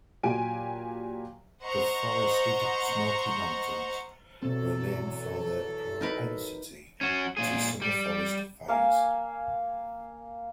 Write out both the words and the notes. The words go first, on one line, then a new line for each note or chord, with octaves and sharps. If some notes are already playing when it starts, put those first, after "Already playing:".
The forested Smoky Mountains were named for their propensity to summer forest fires.
A#2 F#3 G4 G#5 D7
C5 D#5 F#5 A#5 C#6
E2 B2 F#3 C4 A4
D#4 A#4 B4
C#4 F#4
A#2 G#4
G3
A#3 F5 G#5